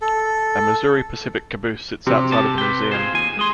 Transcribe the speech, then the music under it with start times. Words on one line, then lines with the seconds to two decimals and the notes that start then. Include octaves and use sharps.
A Missouri-Pacific caboose sits outside of the museum.
0.01 A4
2.07 C3
2.31 C4 G4 A5
2.58 B4 G5
2.92 F4 G#4 C5
3.13 D#2 G#5
3.37 G#3 G#4 C6